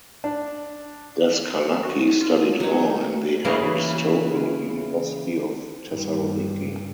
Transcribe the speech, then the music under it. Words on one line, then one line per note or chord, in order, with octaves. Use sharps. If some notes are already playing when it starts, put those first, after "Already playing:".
Daskalaki studied law in the Aristotle University of Thessaloniki.
D4
F#4
F4
F#3 D#4
C#3 E3 A#3
G2